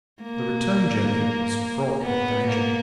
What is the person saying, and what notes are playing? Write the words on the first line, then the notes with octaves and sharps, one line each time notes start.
The return journey was fraught with danger.
A#3
B3
A#3